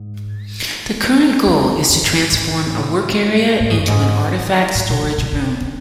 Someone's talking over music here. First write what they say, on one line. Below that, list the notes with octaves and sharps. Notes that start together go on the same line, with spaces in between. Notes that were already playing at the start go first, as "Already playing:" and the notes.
A current goal is to transform a work area into an artifact storage room.
Already playing: G#2
E2
E2
E2
F#2
G#2
A2
C#3
G#2
A2
A2
G#2
F#2
G#2
A2
B2
D3
B2
C#3
D3